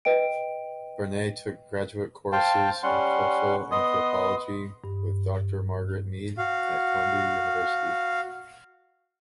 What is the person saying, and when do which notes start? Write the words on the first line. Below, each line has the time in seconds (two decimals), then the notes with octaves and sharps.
Bernay took graduate courses in Cultural Anthropology with Doctor Margaret Mead at Columbia University.
0.05 B4 D#5 G5 D7
2.32 C5 F5 G5 A5
2.83 G3 C#4 F#5 C6
3.72 B3 D#5 C6 D#6
4.84 G2
6.38 F#4 F5